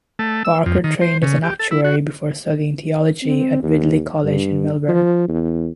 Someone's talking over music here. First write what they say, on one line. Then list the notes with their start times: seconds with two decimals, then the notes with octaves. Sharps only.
Barker trained as an actuary before studying theology at Ridley College in Melbourne.
0.19 A3
0.45 E6
0.66 F2
0.84 D#3
1.01 C5
1.22 C#3
1.44 G4
1.59 A4
1.71 E4
1.84 F#4
3.23 C4
3.62 D#2
4.24 G2
4.88 F3
5.28 E2